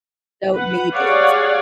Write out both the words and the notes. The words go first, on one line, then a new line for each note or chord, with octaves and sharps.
Don't need it.
B4 F#5
G4 G#4 C#5 D5 F5 F#5